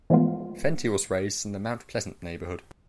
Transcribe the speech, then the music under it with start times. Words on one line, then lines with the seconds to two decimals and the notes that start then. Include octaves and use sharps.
Fenty was raised in the Mount Pleasant neighborhood.
0.10 E3 F3 G#3 A3 B3 F4